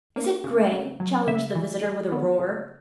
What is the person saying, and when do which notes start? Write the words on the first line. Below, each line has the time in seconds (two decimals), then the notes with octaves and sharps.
"Is it grey!" challenged the visitor, with a roar.
0.16 A#3
0.44 C#3
0.72 C#3
1.00 F#3
1.27 C#3 E5
1.55 E3
1.84 G#3
2.12 B3
2.39 C#3